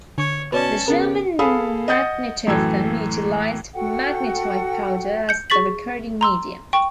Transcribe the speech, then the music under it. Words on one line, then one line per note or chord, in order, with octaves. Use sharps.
The German magnetophon utilized magnetite powder as the recording medium.
D3 C#5 C#6
B2 C#4 B4 C#5 D5 A5
C#3 B3 A#4 A6
G#4 A4 F5 G#5 B5 D#6
D#5 F#5 D#6 G6 A6 C#7
F#2 A2 E3 A4 G#6
F#4 A4 F#5 G5
G6 C#7
G#4 C#6 A6 B6 F#7
A#5 C6 E6
G5 C#6